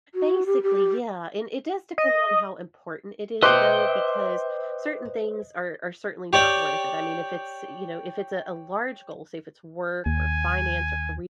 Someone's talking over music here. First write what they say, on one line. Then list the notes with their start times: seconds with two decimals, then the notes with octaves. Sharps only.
Basically, yeah, and it does depend on how important it is, though, because certain things are are certainly not worth it. I mean, if it's, you know, if it's a a large goal, say if it's work or finance or caree
0.15 F#4
0.46 G4
0.63 G4
1.98 D#5
3.43 B4 C5 D#5 E5 G5 C6 D6 F#6
6.33 G4 C#5 D5 G5
10.06 D#2 G#5